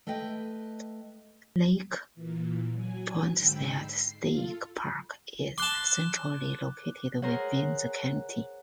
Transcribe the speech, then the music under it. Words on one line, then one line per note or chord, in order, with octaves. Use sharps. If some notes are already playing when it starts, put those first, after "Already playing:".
Lake Poinsett State Park is centrally located within the county.
A3 B4 D#5 G5
A#2 E3
F#3 G#5
G#2 D3 G5 B5 E6
C7
F4 A4
A5 C6 D6 F#6
G#4 A#4 C5 C#5 F#5